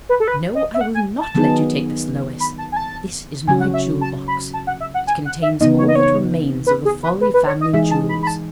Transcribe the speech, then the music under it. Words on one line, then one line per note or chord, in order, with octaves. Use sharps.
No, I will not let you take this, Lois; this is my jewel-box--it contains all that remains of the Fawley family jewels.
B4
A4
B4
D#5
E5
F#5
G#5
A5
D#3 F#3 B3 D#4 G#4
B5
A5
G#5
A5
C#3 F#3 C#4 F#4 G#5
F#5
E5
A5
B5
A5
F#5
E5
F#5
G#5
F#5
E5
C#3 E3 B3 D#4 D#5
C#5
D#5
C#5
B4
G#4
B4
B4
B4
C#5
D#5
E3 G#3 D#4 G#4 E5
A5
B5
B5
A5